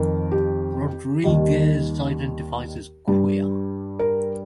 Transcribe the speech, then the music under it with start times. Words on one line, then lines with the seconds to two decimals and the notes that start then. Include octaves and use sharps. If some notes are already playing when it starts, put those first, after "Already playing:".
Rodriguez identifies as queer.
Already playing: F2 D#3 A#4
0.31 G4
1.24 D#2 D#3 G3
3.08 G2 G3
3.99 A#4